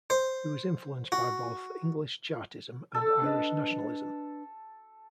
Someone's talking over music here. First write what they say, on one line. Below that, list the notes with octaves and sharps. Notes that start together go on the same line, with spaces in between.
He was influenced by both English Chartism and Irish nationalism.
C5
F#4
A4
D4 B4 D#5